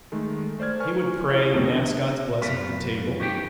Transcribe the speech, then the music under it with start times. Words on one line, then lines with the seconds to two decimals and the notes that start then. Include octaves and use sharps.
He would pray and ask God's blessings at the table.
0.12 D#3 G#3 A3
0.59 A3 C5 D5 F6 G#6
0.80 A#4 B4 G#5 C#6 F6
1.28 E4 F4 G#4 C#5
1.52 C2 F2 D#3 A3 B3 C4
1.66 B3 D4 A#6
2.41 F#2 B2 F4 B5
3.20 C#4 D#4 G4 G5